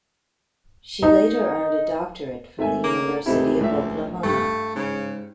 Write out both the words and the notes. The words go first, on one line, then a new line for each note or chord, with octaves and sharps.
She later earned a doctorate from the University of Oklahoma.
D#4
G#1 A3 E5 G#5
C#3 A#3
C#2 C3 A3 D#4 E4
A#1 A2 E5
G2 A3
G#2 C#3